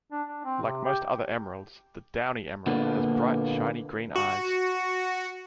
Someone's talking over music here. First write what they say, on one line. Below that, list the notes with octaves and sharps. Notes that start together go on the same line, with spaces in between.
Like most other emeralds, the downy emerald has bright shiny green eyes.
D4
D4
C4
C3
G4
A#2 D3 A#3 B3
F#4